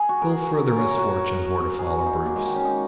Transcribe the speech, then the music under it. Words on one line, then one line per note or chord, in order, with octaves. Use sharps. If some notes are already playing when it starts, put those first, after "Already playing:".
Still further misfortunes were to follow Bruce.
Already playing: G#4
F#4
A#4
G#4
A#4
C#5
A#4
F#4
G#4
F#4
D#4
A#3
G#3
D#3
C#4
D#4